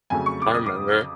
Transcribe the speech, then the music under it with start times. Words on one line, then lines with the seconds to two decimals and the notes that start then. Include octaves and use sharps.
I remember.
0.10 F2 C#3 F#3 A3 G#5
0.26 C#6
0.42 D6
0.55 D#6
0.66 D6